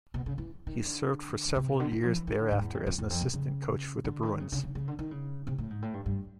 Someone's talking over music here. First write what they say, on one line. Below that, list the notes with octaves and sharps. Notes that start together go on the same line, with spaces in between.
He served for several years thereafter as an assistant coach for the Bruins.
B2
C#3
E3
D#3
D3
C3
B2
D3
E3
F3
E3
D#3
D3
G#2
E2
F2
F2
E2
F2
B2
C#3
D3
D#3
C#3
C#3
C#3
C#3
D3
D#3
C#3
C3
A2
G#2
A2
G2
G2